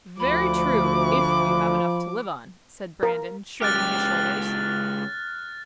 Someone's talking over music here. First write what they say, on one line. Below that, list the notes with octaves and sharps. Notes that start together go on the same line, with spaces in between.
"Very true, if you have enough to live on," said Brandon, shrugging his shoulders.
D2 F3 B5 D6
A#4
C#2 G4 F6 F#6 A6